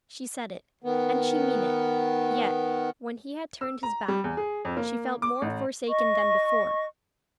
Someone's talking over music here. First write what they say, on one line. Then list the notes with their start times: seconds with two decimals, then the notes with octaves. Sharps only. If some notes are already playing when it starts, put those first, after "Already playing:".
She said it, and she mean it; yet, when he had turned his back, she felt more forsaken than before.
0.84 D#3 B3
3.61 E6
3.83 A#5
4.08 G3
4.24 E2
4.37 G#4
4.65 F2
4.77 A#3
5.22 D6
5.42 A1
5.87 D#5 C#6